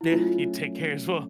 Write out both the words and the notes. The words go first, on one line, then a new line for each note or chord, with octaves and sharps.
Yeah, you take care as well.
E4
F#3 A3 C#4 F4